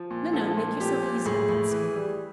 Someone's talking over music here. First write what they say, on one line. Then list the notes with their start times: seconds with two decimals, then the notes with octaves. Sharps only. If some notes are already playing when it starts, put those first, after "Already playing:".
"No, no, make yourself easy on that score."
Already playing: F3
0.11 A#2
0.33 F3 A4
0.57 A#2
0.80 F3 G4
1.03 A#2
1.26 A2 G#4
1.49 A2
1.71 E3
1.95 G3